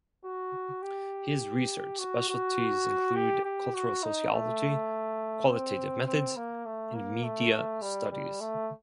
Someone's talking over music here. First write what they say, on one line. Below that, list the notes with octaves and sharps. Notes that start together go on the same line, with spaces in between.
His research specialties include cultural sociology, qualitative methods and media studies.
F#4
G4
F#4
F#4
G4
G4
F#4
D#4
A3
C4
C4
A#3
A3
A#3
A3
G3
G3
A3